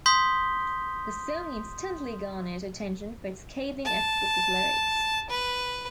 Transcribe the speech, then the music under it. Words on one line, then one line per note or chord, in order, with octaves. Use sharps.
The song instantly garnered attention for its scathing, explicit lyrics.
C6 D#6 G6 B6 G7
A5
B4